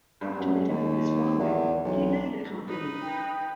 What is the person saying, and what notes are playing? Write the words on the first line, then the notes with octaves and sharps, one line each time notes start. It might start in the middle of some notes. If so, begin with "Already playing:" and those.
After the death of his father, he led the company.
G2
F#2
D#2
E2
B1
D#4 B4
G5